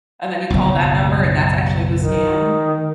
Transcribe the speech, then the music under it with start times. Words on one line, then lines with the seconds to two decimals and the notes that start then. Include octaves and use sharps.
and then you call that number and that's actually the scam?
0.50 F#1 B1
1.96 D#3